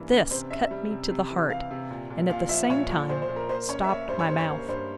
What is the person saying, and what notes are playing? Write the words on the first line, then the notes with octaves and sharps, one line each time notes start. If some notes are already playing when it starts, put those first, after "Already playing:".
This cut me to the heart; and, at the same time, stopped my mouth.
Already playing: G2 E3 A#3 C#4
C#4
C3 C5
C#4 E5
G3
C3
C3
E3
C3 F5
C3
A#2
A#2
A#2 F5
F3 E5
A#2 C#5
A#2
A#2 C5
C5
A#2
A#4
A#3 C5
C#4 C#5
E5
A#3 C#5
G2 C5
C#5
G2 C5
C#5
A#3 C5
G2 C5